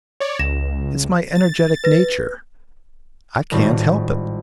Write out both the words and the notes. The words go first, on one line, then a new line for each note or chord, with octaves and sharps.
It is my energetic nature. I can't help it.
C#5 D5
C#2 A#6 E7
A6
B4 A#6
G#1 A2 G3 F4 F#4